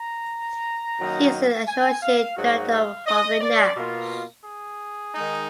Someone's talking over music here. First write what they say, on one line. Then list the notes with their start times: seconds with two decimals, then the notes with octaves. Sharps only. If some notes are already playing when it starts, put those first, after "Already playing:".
He is an Associate Director of Harvey Nash.
Already playing: A#5
0.98 F#2 D#3 F#3 A#3 D#4
1.67 G#5
2.03 F5
2.37 G#2 F#3 A#3 D#4 F#4
2.71 F5
3.07 D#5
3.41 D5
3.76 B2 A#3 F4
4.45 G#4
5.14 D#3 G#3 D#4